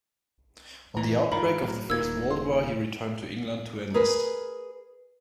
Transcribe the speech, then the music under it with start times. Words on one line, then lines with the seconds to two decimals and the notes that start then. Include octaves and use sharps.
On the outbreak of the First World War he returned to England to enlist.
0.97 E3 A#5
1.32 G#2 D#3 F4 A#4 B5
1.62 A2 F#3
1.90 D#1 A#2 D#3 A#3 E6 G#6
2.31 C6
3.94 G#4 A#4 B4